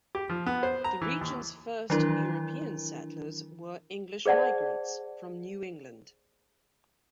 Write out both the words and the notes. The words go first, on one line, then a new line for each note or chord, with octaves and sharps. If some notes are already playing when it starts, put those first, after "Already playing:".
The region's first European settlers were English migrants from New England.
G4
F3
B3
C5
A#5
E3
D#2
D#3 E3 F#3 D4 E4 A#4
G#4 C5 D5 F#5 A5